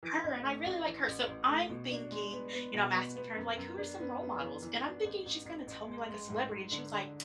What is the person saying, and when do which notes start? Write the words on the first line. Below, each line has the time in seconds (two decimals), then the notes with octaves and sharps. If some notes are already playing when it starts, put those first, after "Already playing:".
her and I really like her." So I'm thinking You know, I'm asking her like, "Who are some role models?" And I'm thinking she's gonna tell me, like, a celebrity and she was like,
0.03 E3
0.24 A1
0.43 A3
0.65 A1
0.86 E3
1.07 A1
1.27 A1
1.48 A3
1.69 B2
1.91 D4
2.11 G#3
2.32 B3
2.53 B3
2.74 B2
2.94 B3
3.15 B3
3.36 F#2
3.57 F#2
3.78 D4
4.00 B3
4.20 B3
4.41 E3
4.62 E3
4.84 D4
5.04 A1
5.25 A1
5.45 A1
5.67 A1
5.87 G#3
6.09 G#3
6.30 G#2
6.50 G#2
6.71 D3
6.92 D3